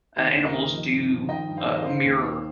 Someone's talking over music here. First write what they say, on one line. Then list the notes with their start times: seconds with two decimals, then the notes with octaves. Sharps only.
a animals do, uh, mirror,
0.16 D#3 G4 C5
0.35 D#2 C5
0.45 A#4 D#5
0.54 D#3
0.73 F3
0.91 G2
1.10 F3
1.29 D#3 D#5 G5
1.48 G2
1.57 C5 F5
1.66 D#3
1.74 D#5
1.85 D#3 C5 F5
2.04 D#2
2.23 D#3